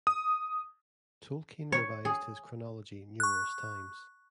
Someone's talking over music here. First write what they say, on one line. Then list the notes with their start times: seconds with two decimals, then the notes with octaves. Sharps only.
Tolkien revised his chronology numerous times.
0.07 D#6
1.72 C#5
2.05 G#4
3.20 C#6 F#6